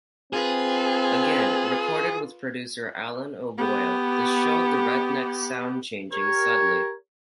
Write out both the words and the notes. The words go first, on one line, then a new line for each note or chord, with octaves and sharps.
Again recorded with producer Alan O'Boyle this showed the Redneck sound changing subtly.
C4 F4 G#4 B4
B3 G4
G4 A#4 C#5